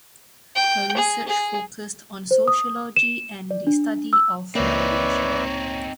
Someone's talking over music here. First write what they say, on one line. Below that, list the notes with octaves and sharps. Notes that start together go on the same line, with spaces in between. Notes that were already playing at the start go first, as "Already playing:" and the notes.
Her research focused on sociology and the study of revolution.
G5
G#4
G#4
C5
D#6
E7
D5
D4
E6
C#2 A#3 C4 D#4 B4 C#5 D5 E5